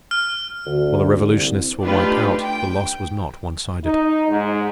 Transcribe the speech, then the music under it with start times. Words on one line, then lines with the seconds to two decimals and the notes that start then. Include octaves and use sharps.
While the revolutionists were wiped out, the loss was not one-sided.
0.11 F6
0.66 D2
1.19 C2
1.82 A3 D4 D#4 F4 G4 B4
2.43 G5
3.84 D#4
4.28 G#2